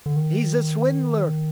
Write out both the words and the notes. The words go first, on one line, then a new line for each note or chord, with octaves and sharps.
"He's a swindler!"
D3
D#3